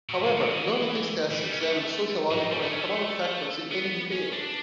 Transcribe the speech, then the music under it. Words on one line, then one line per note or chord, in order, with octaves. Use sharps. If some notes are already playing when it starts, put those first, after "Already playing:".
However, none of these tests examined sociological and economic factors in any detail.
B2
D3
C#3
E3
E3
G3
C#4
A3
A2
G3
A3
C#4
A3
B3
C#4
D4